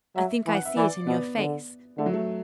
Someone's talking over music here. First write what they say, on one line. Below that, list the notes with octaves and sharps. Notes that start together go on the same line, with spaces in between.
I think I see it in your face.
F#3 E5
E3
F#5
E5
E3 D5
B2 B3
D3
D3 A3
F#3
A3